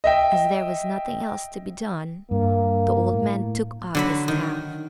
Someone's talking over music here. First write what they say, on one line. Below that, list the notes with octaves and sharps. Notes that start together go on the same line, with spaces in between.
As there was nothing else to be done, the old man took up his staff.
D#5 E5 G5
G2 A#3
A2
D3 F#3 B5
D#3